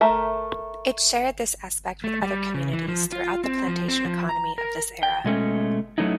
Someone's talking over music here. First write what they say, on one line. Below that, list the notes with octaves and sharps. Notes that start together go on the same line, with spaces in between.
It shared this aspect with other communities throughout the plantation economy of this era.
A3 A#4 E5
A3
G3
C#3
E3
F3
F4
C4
F3
C4
F3
A#5
A#4
G5
B2 G#3 A3 C#4
F#3 A3 C#4 D#4 E4